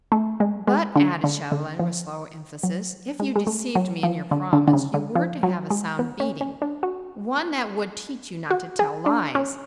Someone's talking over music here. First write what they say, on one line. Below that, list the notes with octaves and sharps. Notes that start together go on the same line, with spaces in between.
"But," added Chauvelin, with slow emphasis, "if you deceived me in your promise, you were to have a sound beating, one that would teach you not to tell lies."
A3
G#3
G#3
D3
D3
D3
F3
F#3
G#3
G#3
A3
F#3
F3
D3
D3
D3
C#3
D3
F3
F#3
G#3
B3
C#4
C#4
D4
F#4
F#4
G#4
D4
C#4